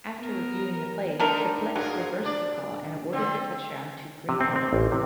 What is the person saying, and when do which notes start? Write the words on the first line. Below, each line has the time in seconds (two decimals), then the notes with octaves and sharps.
After reviewing the play, Triplette reversed the call and awarded the touchdown to Green-Ellis.
0.17 B3 A#4
1.20 D3 A3 D#4 A#4
1.76 G2 F#3 G#4 A#4
2.24 D4 D5
3.13 D3 C4
4.29 C3
4.41 C4
4.56 C4
4.73 A1
4.92 C3